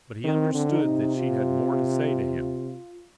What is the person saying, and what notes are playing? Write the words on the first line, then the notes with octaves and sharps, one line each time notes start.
But he understood that she had more to say to him.
D#3 C4
D3
D#4
C3
F4